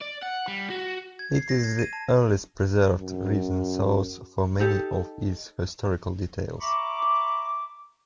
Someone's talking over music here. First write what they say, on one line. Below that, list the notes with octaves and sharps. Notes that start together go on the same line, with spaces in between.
It is the earliest preserved written source for many of its historical details.
D5
F#5
G3
F#4
G#6
C7
A#6
G#6
D#7
A5
F#2
D#4 G4 A4
E5 A#5 B5 C#6 D6